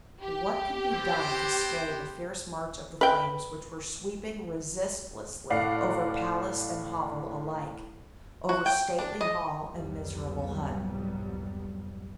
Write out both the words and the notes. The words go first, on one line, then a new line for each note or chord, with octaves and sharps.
What could be done to stay the fierce march of the flames which were sweeping resistlessly over palace and hovel alike, over stately hall and miserable hut?
G4
B3 C4 C5
B4 G5
A2 D5 F5 F#5 C7
F#4
G5
D4
D#5
C2 F2 G#2 F#3 G3 B3